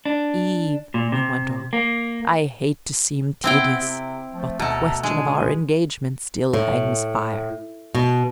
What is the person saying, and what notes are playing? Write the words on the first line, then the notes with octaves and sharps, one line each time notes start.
"Eve," I went on, "I hate to seem tedious--but the question of our engagement still hangs fire."
D4
A#2
C3
A#3
B3 C4 E4 G5
C3
F3 A3
D2 B2 A3 A5 A#5
G#3 D4 G#5
A2
B2